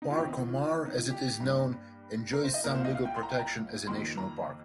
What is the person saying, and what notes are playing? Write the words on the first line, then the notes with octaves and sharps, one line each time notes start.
Parque Omar, as it is known, enjoys some legal protection as a national park.
D#4
F4
D#2 D#3 C4 G4
D#4
F4
F4
D#4
F4
G4
G2 G3 A#3
A#4
C5
D#5
C2 A#2 A#3 A#4
C5
F5
D#5
F5
G5
C6
A#5
G5
A#5
F2 D#3 A#3 C6
A#5